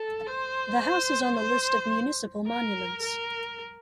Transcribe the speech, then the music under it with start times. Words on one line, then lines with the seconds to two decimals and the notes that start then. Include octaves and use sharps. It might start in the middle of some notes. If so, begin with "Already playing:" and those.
The house is on the list of municipal monuments.
Already playing: A4
0.27 C5
0.82 C5
1.37 C5
2.47 A#4
3.03 A#4